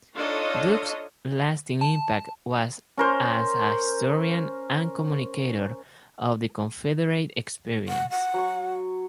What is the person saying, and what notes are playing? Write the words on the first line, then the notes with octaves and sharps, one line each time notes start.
Duke's lasting impact was as a historian and communicator of the Confederate experience.
D4 D#4 F4 A4 C#5 D#5
A5
C#4 A#4 C5
F#5
F#5
F#3 C#6